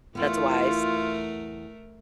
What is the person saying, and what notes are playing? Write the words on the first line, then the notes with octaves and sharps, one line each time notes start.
That's wise.
E2 A3 B3 F4 A#4